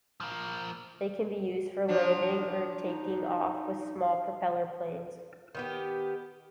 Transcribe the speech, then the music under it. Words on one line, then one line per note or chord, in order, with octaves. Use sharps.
They can be used for landing or taking off with small propeller planes.
F3 A#3
F3 F#3 D4
D#4
F5
D#3 B3 G4